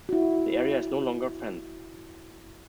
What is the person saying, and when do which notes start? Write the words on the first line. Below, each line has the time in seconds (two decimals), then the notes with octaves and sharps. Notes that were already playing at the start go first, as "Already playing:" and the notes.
The area is no longer fenced.
0.09 E4 F#4